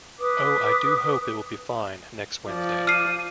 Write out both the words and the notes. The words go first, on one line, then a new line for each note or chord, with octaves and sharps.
Oh, I do hope it will be fine next Wednesday.
B4 D6 D#6
F3 D5
F6 C7 D#7